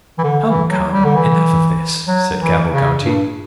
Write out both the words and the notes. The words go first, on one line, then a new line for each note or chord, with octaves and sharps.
"Come, come; enough of this," said Cavalcanti.
E3
D3
E3
F#3
G3
D3
E3
F#3
E3
C#3
G2